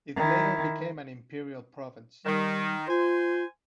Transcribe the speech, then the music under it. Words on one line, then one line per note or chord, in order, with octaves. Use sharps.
It later became an Imperial province.
D#3 E4
D#3 G3
F4 C5 G#5